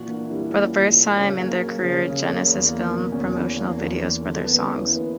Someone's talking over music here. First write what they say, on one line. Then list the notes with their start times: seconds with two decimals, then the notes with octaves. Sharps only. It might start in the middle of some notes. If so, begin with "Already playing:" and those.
For the first time in their career, Genesis filmed promotional videos for their songs.
Already playing: A#2 E3 F#4
0.09 A#3 D4
0.25 E4
0.30 G3 D4
0.52 A#2 C#4
0.74 A#2
0.95 A#3
1.17 C#3 C#4
1.39 A#3
1.61 F#3
1.82 C#3
2.04 C#3
2.26 A#3
2.47 E2
2.69 A#3
2.91 B2
3.12 E2 C#4
3.34 E2
3.56 A#3
3.78 E2
4.00 A#3
4.21 D3
4.43 E2 B3
4.55 B3
4.59 C#4
4.64 E2
4.75 E4
4.86 A#3
4.91 B4